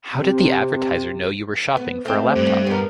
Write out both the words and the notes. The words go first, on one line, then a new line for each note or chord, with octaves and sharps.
How did the advertiser know you were shopping for a laptop?
C3
B3
A3 C4 G4
G2
B3 A#4